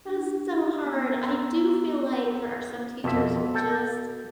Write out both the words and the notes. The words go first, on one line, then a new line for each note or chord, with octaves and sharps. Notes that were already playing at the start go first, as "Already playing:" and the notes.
That's so hard. I do feel like there are some teachers who just
D4 G4
B3 A#5 E6
F2 B2 E5
A4 G5